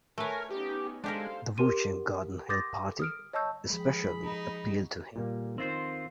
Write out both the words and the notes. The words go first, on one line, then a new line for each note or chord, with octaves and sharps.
The Wuchang Garden Hill Party especially appealed to him.
A3 A#4 B4 C#5 G#5
B3 C#4 D#4 G4
G#3 D4 G4 A4 A#4 C5 F5
G4 A#4 C6 D#7
C6 D6 D#6 G6 A6 A#6
D#6 F6 D7
C#5 D#5 A5 C#6 E6 G6
F3 G#3 G#4 B5
D#4
A#2 G3 A#3
D#3 C4 F4 C5